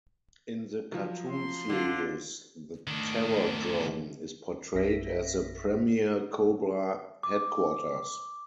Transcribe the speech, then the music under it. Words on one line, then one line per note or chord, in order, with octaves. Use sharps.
In the cartoon series, the Terror Drome is portrayed as the premiere Cobra headquarters.
F3 F#3
C6
D3 F4
D#3 A3 D4
A#1 F#2 E5 A#6 B6
D6